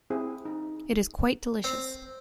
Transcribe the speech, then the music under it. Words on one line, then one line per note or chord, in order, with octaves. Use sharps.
It is quite delicious!
C4 E4 G#4
D#4
C4